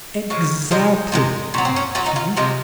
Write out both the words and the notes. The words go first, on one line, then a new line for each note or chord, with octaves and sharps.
"Exactly!" cried Kinney.
C#3 F3 G#3
C3 F3 G#3 D#4
C3 F3 G#3
A#2 F#3 C#4
C4
C#4
A#2 F#3 C#4
D#4
F4
C3 F3 G#3 F4